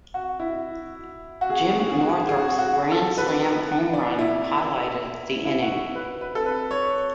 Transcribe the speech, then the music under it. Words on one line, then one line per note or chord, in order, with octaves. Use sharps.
Jim Northrup's grand slam home run highlighted the inning.
F#4
E4
F#4
G#4
F#4
G#4
F#4
G#4
F#4
G#4
F#4
G#4
F#4
G#4
F#4
A4
B4
D5
E4
E4
F#4
B4
B4
A4
B4
C#5